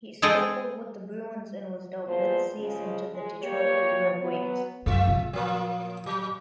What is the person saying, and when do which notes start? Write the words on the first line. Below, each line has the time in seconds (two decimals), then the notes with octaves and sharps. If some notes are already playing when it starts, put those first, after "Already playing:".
He struggled with the Bruins and was dealt mid-season to the Detroit Red Wings.
0.22 G#3 G#4 A4 D#5 G5
2.07 E2 A#2 F3 C5
2.59 C#3 F3 G#3
3.13 G#3
3.42 G3 A#3 G4 C#5
4.22 F#3 B3
4.86 F#2 G#3 F4 E5
5.08 A#2
5.33 F3 A#3
6.06 F#3